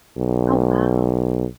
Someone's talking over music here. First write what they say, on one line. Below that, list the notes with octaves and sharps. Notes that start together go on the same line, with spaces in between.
Oh, wow.
B1